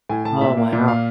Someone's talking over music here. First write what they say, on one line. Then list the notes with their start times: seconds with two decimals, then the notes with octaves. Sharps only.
Oh wow.
0.10 A2 G#5
0.25 A2 A5
0.41 A#2 E5
0.57 A#3
0.72 A#2
0.88 F5